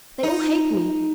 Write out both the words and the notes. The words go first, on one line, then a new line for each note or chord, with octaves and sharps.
They all hate me.
D#4